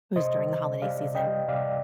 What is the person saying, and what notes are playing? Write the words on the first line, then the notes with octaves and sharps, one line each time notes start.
it was during the holiday season,
C3 C5 D#5
G3
C3
G3 D5 F5
C3
D#5 G5
G3
C3 D5 F5